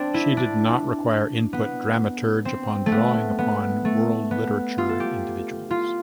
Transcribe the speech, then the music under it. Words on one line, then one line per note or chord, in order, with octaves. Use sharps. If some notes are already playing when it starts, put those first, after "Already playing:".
She did not require input dramaturge upon drawing upon world literature individuals.
Already playing: C4 D4
E4
D4
B3
C4
A3
B3
B3
A3
B3
F4
A4
G4
F4